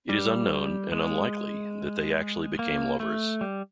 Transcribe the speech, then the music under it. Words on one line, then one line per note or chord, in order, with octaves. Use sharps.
It is unknown, and unlikely, that they actually became lovers.
G3
G#3
A#3
A3
G3